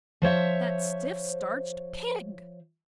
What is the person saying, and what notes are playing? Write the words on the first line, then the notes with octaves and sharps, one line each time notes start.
'That stiff-starched PIG!'
F3 C5 C#5 E5